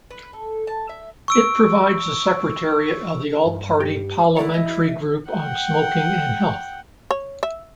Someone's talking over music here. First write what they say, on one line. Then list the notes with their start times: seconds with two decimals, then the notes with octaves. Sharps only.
It provides the secretariat of the All-Party Parliamentary Group on smoking and health.
0.11 B4
0.33 A4
0.67 A5
0.89 E5
1.28 C#6 E6 D7
3.45 G2
3.80 G4
4.37 E4 C#5 D5 E5 F#5
4.54 D#5
5.30 F#5 G5
7.11 C#5
7.43 E5